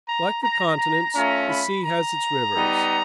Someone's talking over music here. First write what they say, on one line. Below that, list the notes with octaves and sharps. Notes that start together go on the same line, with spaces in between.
Like the continents, the sea has its rivers.
A#5
A#5
A#5
A3 C#4 F4 A#5
B5
A#5
G3 B3 D#4